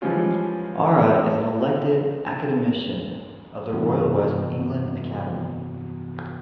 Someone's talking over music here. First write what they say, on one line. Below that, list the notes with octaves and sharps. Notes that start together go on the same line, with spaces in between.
Ara is an elected Academician of the Royal West of England Academy.
E3 F3 G3 G#3 C#4 F4
G2 C3 E3 B3 F#4